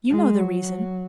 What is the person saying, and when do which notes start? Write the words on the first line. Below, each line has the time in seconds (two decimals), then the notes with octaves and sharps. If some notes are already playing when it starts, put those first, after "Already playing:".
You know the reason.
0.10 G#3
0.40 F#3